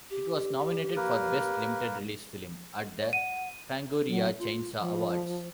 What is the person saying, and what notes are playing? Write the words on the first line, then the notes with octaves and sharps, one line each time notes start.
It was nominated for Best Limited Release Film at the Fangoria Chainsaw Awards.
G4
A#3 A#4 B4
C#5
F#5 D#7
F#3
F4
F3